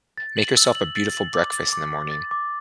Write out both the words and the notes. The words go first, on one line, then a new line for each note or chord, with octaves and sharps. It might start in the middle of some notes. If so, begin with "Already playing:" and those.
make yourself a beautiful breakfast in the morning.
A6
F#7
E6
F#7
A6
F#7
D6
A6
D6
D6
A6
D6